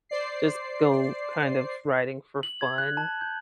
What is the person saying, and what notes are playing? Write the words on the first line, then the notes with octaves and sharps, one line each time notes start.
just go kind of riding for fun,
C5 D5 C7
F#7
G#6
F#6
A5
G6